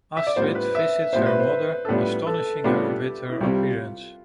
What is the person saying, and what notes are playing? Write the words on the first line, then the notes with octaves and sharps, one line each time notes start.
Astrid visits her mother, astonishing her with her appearance.
E5
D5
A2 G3 B3 D4 F4 C5
B4
E5
A2 G3 B3 D4 F4 C5
B4
C5
A4
A2 G3 B3 D4 F4 B4
A4
A2 G3 B3 D4 F4 G4
E4
C2 C3 G3 C4 F4